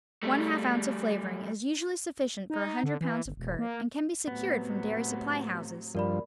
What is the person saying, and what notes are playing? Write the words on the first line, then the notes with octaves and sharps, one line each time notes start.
One-half ounce of flavoring is usually sufficient for a hundred pounds of curd and can be secured from dairy supply houses.
G3 A3
D#4
D3
E3
G1
E1
A#3
A2 C3 F#3 B3
G2 F3 A#4 D5 B5